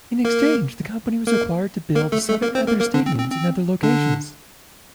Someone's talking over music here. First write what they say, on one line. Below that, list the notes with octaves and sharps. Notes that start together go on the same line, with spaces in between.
In exchange, the company was required to build seven other stadiums in other locations.
A#3 A#4
A#3 A#4
A#3 A#4
A3 A4
A3 A4
A#3 A#4
C4 C5
A#3 A#4
A#3 A#4
D3 D4
C4
C4
C4
D3 D4